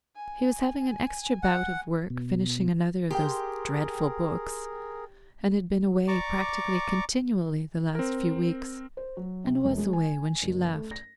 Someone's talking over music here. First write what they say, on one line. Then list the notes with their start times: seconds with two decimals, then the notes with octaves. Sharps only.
He was having an extra bout of work finishing another of those dreadful books, and had been away practically continually the last few weeks, and was away when she left.
0.16 G#5
1.43 F#5
2.10 B2
3.11 G4 G#4 A#4 G5 C6
6.08 D5 A#5 C#6 D6
7.95 C4 A#4
8.97 C5
9.17 F#3
9.44 C3
9.64 E1
9.78 G#3
9.93 G#5
10.42 F#1
10.74 A3
10.91 A#6